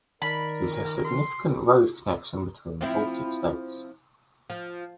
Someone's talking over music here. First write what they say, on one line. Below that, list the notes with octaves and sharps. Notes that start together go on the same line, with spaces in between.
It is a significant road connection between the Baltic states.
D#3 A#4 D5 B5
C6
F3 C4 E4
F3